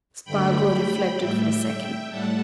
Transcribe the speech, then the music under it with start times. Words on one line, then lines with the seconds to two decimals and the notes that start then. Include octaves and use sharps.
Spargo reflected for a second.
0.25 G2 D3 A3 G5 B5
1.17 A2 G3 E5 G5
2.10 A2 G3 F#5 A5